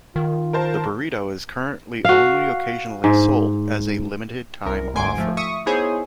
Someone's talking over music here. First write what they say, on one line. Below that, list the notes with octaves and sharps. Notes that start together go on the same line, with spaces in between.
The burrito is currently only occasionally sold, as a "limited time offer".
D#3 F4
A#4 C5 A5
F#4 F5
G#2
C2 A#4
G1 D2 G#2 G#5 C6 D7
F3 A3
E5 C#6 D#6
B3 D#4 E4 G#4 C5 C#5